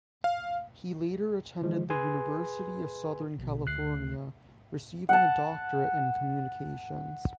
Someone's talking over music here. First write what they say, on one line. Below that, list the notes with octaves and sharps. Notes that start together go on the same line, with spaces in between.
He later attended the University of Southern California, receiving a doctorate in communications.
F5
D#3 F3 G#3
G#4 B4 G#5 C6
A#1 B2
D2 A3 F#6 C7
F#5 A5